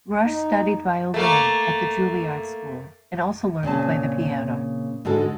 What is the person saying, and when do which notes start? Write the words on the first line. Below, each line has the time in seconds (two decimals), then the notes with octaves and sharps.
Rush studied violin at the Juilliard School, and also learned to play the piano.
0.24 D#4
1.14 A3 A#3 A#4
3.63 A#2 C#3 C4 A5
5.05 G#2 D3 F#4 A4